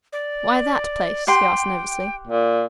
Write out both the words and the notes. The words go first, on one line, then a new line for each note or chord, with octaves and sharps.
"Why that place?" he asked nervously.
D5
G4 F#5 G5 C6
A#2